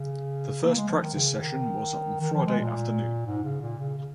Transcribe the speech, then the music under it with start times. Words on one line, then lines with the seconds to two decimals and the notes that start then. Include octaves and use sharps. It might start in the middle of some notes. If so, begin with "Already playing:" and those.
The first practice session was on Friday afternoon.
Already playing: C#3
0.64 A#3
0.76 G#3
0.88 F3
1.02 D#3
1.14 C#3
1.42 D#3
2.21 D#3
2.34 F3
2.47 G#3
2.60 A#2
3.26 G#2
3.44 C#3
3.61 A#2
3.79 C#3
3.98 C#3